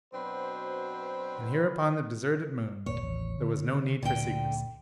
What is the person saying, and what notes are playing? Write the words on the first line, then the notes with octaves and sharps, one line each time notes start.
And here upon the deserted Moon there was no need for secrecy.
B2 F#3 C4 D4 B4 C5
D#1 G#1 A#3 C#5
A1 D#2
D3
D2 A#2 D3 G5